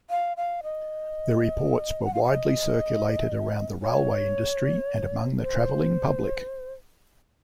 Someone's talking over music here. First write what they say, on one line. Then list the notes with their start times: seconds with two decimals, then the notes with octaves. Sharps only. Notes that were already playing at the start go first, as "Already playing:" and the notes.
The reports were widely circulated around the railway industry, and among the travelling public.
0.10 F5
0.37 F5
0.63 D#5
2.05 F#5
2.14 F5
2.23 D#5
3.82 C#5
5.42 C5